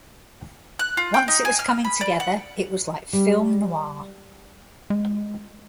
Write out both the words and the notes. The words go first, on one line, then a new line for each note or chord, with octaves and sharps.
Once it was coming together, it was like film noir.
F#6
F4
G5
D#4
G#5
F6
B5
D5
F#5
G3
G#3